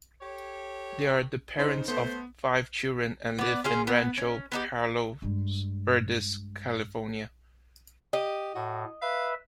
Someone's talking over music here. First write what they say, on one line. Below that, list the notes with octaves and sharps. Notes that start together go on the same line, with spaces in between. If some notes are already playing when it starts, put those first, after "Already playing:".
They are the parents of five children and live in Rancho Palos Verdes, California.
G4 A4 C#5
C#3 D#4 C5
A3 B3 C5
B3 D5
C#4 F4 G#4
B3
C#4
B3 D#4 G4
G2 G#3
G4 D#5
A2 F#4
B4 E5 F5